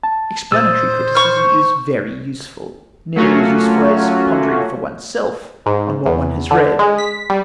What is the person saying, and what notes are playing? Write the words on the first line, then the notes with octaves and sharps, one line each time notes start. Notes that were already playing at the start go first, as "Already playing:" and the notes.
Explanatory criticism is very useful; nearly as useful as pondering for oneself on what one has read!
A5
A#2 C5 D#6 E6 A6
C#6 F6
F#3 A3 A#3 C#4 F4 F#4
G#2
E2
D3
G#3
B6
G3